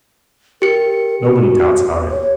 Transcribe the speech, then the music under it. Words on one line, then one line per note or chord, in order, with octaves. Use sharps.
Nobody doubts about it.
G4 A#4 C#7
F#4
C#5